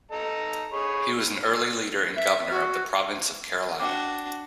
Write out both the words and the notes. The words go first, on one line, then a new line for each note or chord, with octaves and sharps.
He was an early leader and governor of the Province of Carolina.
A4 D#5 A#5
G#4 C#5 B5
E5
F#4
D4 F#4 G5 D6